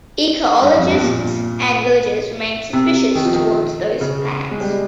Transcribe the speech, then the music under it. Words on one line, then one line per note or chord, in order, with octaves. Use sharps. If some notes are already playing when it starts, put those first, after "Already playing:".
Ecologists and villagers remained suspicious toward those plans.
G2
F2
G2
A#2
C3
D#3
F3
D#3
C#3
G#3
G3
G#3